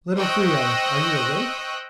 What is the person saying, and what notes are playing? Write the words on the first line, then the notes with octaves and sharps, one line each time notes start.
'Little Three-eyes, are you awake?
C5 D#5 G5 C#6 E6 F#6